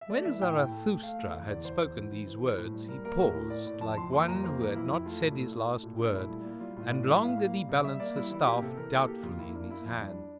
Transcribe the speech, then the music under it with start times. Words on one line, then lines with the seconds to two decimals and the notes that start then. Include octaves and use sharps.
When Zarathustra had spoken these words, he paused, like one who had not said his last word; and long did he balance the staff doubtfully in his hand.
0.01 E5
0.10 A3 D5
0.25 E3 E5
0.41 A2 G5
0.56 A2
0.71 A3
0.87 A3
1.02 A3 F5
1.19 A3
1.34 E2
1.49 E2 D5
1.65 E2 C5
1.81 E2
1.96 E3
2.12 E3
2.26 E3
2.43 E3
2.58 A2
2.74 G3
2.88 G3 A#4
3.04 A#3 A#4
3.20 A2 A#4
3.36 A2
3.50 A2 D5
3.67 A2
3.81 F2 A5
3.97 F2 C6
4.12 A#3 C6
4.28 F2 A#5
4.44 A#3 C5
4.59 E3 A#4
4.75 F2 E4
4.90 F2 E4
5.06 A3 F4
5.21 A#2 E4
5.37 A3
5.52 A3
5.68 A3
5.83 A#2
5.98 A3 D4
6.14 A#2 E4
6.29 G3
6.45 A#3
6.60 G3 F4
6.76 A2 F4
6.92 A2 D5
7.07 G3 E5
7.22 A2 F5
7.38 A#3
7.54 G3
7.69 C3
7.84 G3 E5
8.00 A#3 D5
8.15 G3 E4
8.30 E3 E4
8.46 A#3 G4
8.62 C3 A4
8.77 E3 A#4
8.92 A#3 A4
9.08 A#3 G4
9.23 F2 F4
9.39 A#3 E4
9.55 A#3 D4
9.70 A#3 E4
9.86 F2 E4
10.01 G3 D4